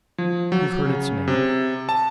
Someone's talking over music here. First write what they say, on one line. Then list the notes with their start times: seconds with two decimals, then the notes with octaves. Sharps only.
You've heard its name.
0.18 F3
0.52 F#3
0.86 C#3
1.28 C3
1.89 A5